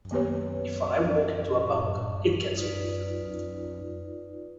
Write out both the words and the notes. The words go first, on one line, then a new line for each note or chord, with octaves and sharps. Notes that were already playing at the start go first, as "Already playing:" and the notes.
If I walk into a bank, it gets robbed.
D#3 A#3 B3 G4 B4 C#5
D#4 F4 B4 D5